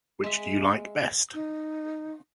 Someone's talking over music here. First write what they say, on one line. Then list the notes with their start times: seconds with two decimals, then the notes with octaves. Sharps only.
Which do you like best?
0.24 G#3 E5
1.34 D#4